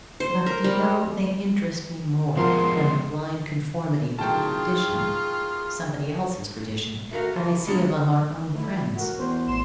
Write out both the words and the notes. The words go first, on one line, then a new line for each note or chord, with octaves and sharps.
But, do you know, they interest me more than the blind conformity to tradition--somebody else's tradition--that I see among our own friends.
C5
A#4
G3
F2 F3 G#3 B3 A#4 C6
A2 D#3 F#3 F4 G#4 G5 A5
A3 F#4 A#4 F5
C3 E3
B2 F#3 G#3 C#4 D4 F4
E3 A3 E4
F#4 A#4
E2 C5
A1 C6 E7